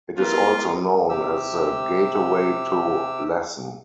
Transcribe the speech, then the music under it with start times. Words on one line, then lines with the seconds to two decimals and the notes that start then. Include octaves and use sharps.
It is also known as "The Gateway to Lassen".
0.18 B3 E4 F4 A#4 D6
1.09 C3 G4 E6